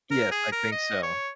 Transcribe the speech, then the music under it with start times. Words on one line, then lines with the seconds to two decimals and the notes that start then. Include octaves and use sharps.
Yes. I think so.
0.11 A#4
0.31 G#4
0.52 A#4
0.72 D#5
1.03 C#5